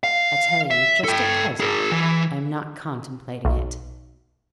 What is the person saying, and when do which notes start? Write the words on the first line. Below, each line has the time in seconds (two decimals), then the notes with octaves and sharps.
I tell you, just at present, I am not contemplating it.'
0.04 F5
0.71 E5
1.04 A4 G5
1.60 G#4 A#4
1.91 E3
3.45 B1